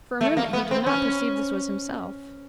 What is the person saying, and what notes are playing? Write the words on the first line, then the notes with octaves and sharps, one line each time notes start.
For a moment he did not perceive this was himself.
A3
A#3
B3
C4
C#4